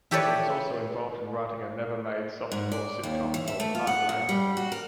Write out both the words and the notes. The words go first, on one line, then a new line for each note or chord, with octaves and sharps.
He was also involved in writing a never-made softcore sitcom called "Park Lane".
E4 G4 A4 B4 C#5 D5
G#2
D5
D#2
E3
E5
A3
F4
F#5
A#2
G3
F#4
A#4